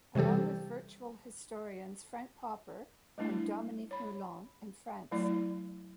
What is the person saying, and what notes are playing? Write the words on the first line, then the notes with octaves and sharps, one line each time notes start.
Along with virtual historians Frank Popper and Dominique Moulon in France.
C3 E3 G3 G4 A4
G3 A3 D4 E4
C#5 B5
F#3 A3 E4 D5